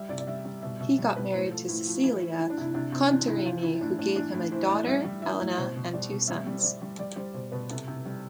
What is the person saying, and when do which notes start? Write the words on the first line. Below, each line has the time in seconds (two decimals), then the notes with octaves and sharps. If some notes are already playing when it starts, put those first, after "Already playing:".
He got married to Cecilia Contarini who gave him a daughter, Elena, and two sons.
Already playing: G3 E5
0.09 C3 D5
0.20 D5
0.27 G3 E5
0.45 G3
0.62 B2 E5
0.80 B2 E5
0.98 G3
1.15 B2 B4
1.33 A2 C5
1.51 F3 A4
1.68 A2 E4
1.87 F3
2.03 E3 E4
2.22 E3
2.39 E3 E4
2.50 D4
2.58 C3 E4
2.74 C3 D4
2.92 C3 C4
3.11 E3 D4
3.27 C3 E4
3.45 E3 F4
3.63 E3 E4
3.81 A2 D4
3.98 A2 D4
4.16 E3 D4
4.34 A2 E4
4.52 E3 C5
4.69 A2 D5
4.86 G3 E5
5.04 G3
5.22 E3 E5
5.40 A2
5.57 B2 C5
5.76 B2
5.93 G3 D5
6.11 B2
6.28 G3 E5
6.46 G3
6.58 C5
6.63 G3 D5
6.82 G3
6.99 G3 D5
7.16 G3 C5
7.34 B2 C5
7.52 B2 B4
7.70 C3 A4
7.87 C3
8.05 G3